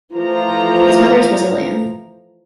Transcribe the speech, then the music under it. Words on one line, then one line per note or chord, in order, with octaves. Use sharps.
His mother is Brazilian.
E3 F3 A3 A#5